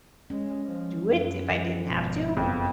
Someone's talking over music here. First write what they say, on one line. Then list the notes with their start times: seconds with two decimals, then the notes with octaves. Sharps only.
do it if I didn't have to,
0.30 G#3 C#4
0.66 F3 G#3
1.05 F#2
1.50 F3
1.84 G#1 B2
2.37 F#1 F2 B3